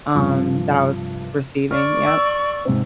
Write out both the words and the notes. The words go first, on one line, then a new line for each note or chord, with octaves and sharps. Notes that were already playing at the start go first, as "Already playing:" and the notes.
um, that I was receiving. Yep.
G2 C3 F3
D5 C#6 F6
E6
G#2 C3 C4